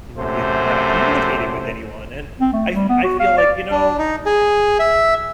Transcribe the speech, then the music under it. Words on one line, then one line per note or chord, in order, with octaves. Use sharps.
mm, you know, not communicating with anyone, and I f I feel like, you know,
F#2 C3 A3 C5
C4
A3
G3
B3
F#4
F5
D5
D4
D#4
G#4
E5